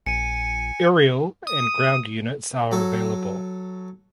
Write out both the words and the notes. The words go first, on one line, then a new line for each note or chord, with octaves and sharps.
Aerial and ground units are available.
A#1 G#5 C#7 D#7
D#6
F#3 A4